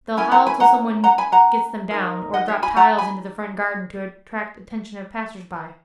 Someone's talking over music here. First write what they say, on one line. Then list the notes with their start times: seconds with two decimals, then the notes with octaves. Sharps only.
They'll howl till some one gets them down, or drop tiles into the front garden to attract attention of passersby.
0.17 C#4 E4 A#4 G#5 B5
0.32 F#5 A#5
0.47 G#5 B5
0.60 F#5 A#5
1.04 F#5 A#5
1.18 G#5 B5
1.32 F#5 A#5
1.91 D#4 A#4
2.34 D#5 F#5
2.48 C#5 E5
2.63 G#5 B5
2.76 F#5 A#5
2.98 G#5 B5